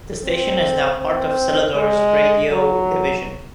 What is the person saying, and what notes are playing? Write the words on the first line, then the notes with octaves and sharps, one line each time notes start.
The station is now part of Celador's radio division.
C4
C4
G#3
F#3